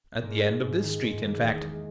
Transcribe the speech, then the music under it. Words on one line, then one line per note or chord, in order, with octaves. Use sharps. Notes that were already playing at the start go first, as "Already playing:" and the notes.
At the end of this street in fact.
G#2 A#3 A#4
A#3
G#2
D#3
G#2
A#3
E2
G#3